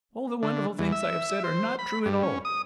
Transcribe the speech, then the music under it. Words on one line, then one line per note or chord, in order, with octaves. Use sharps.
All the wonderful things I have said are not true at all.
D3
E2
E5
C5
B5
G2
C#4
D#6